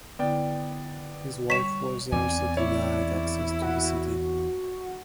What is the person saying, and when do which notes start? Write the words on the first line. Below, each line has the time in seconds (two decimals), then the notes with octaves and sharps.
His wife was also denied access to the city.
0.19 D3 B3 E4 D5 G5
1.50 G3 C#5 B6 E7
2.12 E2 C4 D5 G#5
2.57 E4 C#5
3.62 F#4